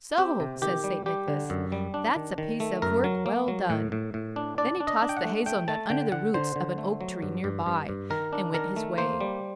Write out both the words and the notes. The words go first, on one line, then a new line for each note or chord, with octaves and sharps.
"So!" says St. Nicholas, "that's a piece of work well done." Then he tossed the hazel-nut under the roots of an oak-tree near by, and went his way.
C4 G4
C3
D#3 G4
G3
G3 G4
D3
F#2
G3
D4
D#3
D#3
A3
F#2 A#4
F#3
A#3
F#3
A2
A2
A2
D4
D4 D5
D4
D#5
D4
G5
F#5
A3
A3 G5
A3 A5
D3 G5
D3 F#5
D3 C5
D3
A3
F#3
G2
G2
G2
G2
D#3 A#4
D4
D#3 A#4
A3
A#3 C5
G3